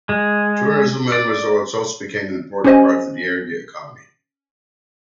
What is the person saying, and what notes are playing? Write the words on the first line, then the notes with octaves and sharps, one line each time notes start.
Tourism and resorts also became an important part of the area economy.
G#3
D5
C#4 G4 C5 D#5 G#5